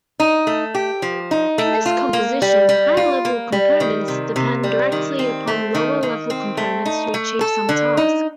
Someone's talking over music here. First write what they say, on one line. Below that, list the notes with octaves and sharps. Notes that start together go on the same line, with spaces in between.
In this composition, higher-level components depend directly upon lower-level components to achieve some task.
D#4
A3
G4
F3
D#4
A3
F4
A#3
G3
G3
F4
A#3
G3
D#3
C3
C3
G3
D#3
C4
A3
D#3
D#3
C4
A3
D#4
A3
A4
D3
D#4